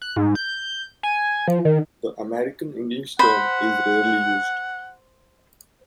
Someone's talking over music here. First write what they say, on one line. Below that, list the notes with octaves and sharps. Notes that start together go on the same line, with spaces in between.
The American English term is rarely used.
F#6
G#2
G6
G#5
F3
D#3
C5 F#5 B5